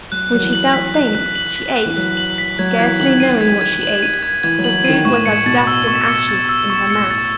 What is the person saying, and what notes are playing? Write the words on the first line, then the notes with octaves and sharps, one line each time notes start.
When she felt faint, she ate, scarcely knowing what she ate, for food was as dust and ashes in her mouth.
F#3 F#6
F#3 F#6
E3
F#7
E3 B6
F#6
F#6
F#7
B6
F#6
E3
F#3 F#6
F#7
B6
F#3 G#6
E3 G#6
D#3 F#7
D#7
G#6
G#6
F#7
D#7
G#6
E3 G#6
F#3
F#7
E3
D#3 D#7
A2 C#6
A2 C#7
B2 A6
E6
C#6
C#7
A6
E6
C#6
A2 C#7
A6